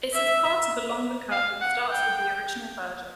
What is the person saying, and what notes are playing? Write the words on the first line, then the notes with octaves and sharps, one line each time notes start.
It is part of a longer cut that starts with the original version.
E5
F5
F#5
G5